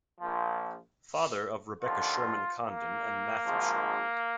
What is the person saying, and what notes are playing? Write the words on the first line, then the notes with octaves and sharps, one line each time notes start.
Father of Rebekah Sherman Condon and Matthew Sherman.
A#1 A#2 F3
D#2 D3 F3 F4
A#3
G#1 G#2 F3